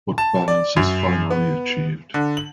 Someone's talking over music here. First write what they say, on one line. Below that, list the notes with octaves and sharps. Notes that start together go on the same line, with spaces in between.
But balance is finally achieved.
A5
D5
F#2
B3
D3
F#7